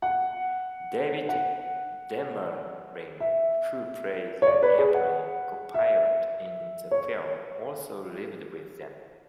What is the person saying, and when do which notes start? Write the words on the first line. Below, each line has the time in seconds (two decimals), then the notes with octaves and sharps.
David Demering, who played the airplane co-pilot in the film, also lived with them.
0.02 F#5
1.29 F#5
3.20 E5
4.42 C#5
4.47 D5
4.63 B4
4.79 G#4
4.94 F#5
5.74 E5
6.91 C#5